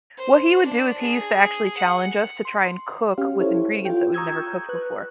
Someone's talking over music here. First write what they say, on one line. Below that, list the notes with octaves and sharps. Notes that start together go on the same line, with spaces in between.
What he would do is he used to actually challenge us to try and cook with ingredients that we've never cooked before.
C5
D4
G#4
F#5
C6
C#4 G4 F5
E4 G4 A4 C5 C#5
F4 G5
A#5 C#6 D#6 E6 G6 G#6
B4 F#6